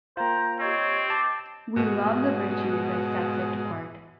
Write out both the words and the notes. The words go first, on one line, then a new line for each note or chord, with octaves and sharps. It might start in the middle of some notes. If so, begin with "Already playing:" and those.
We love the virtue that sets it apart.
A#3 F4 C5 G5 A#5
C4 G4 C#5 D#5 G#6
A5 D6
G#2 B2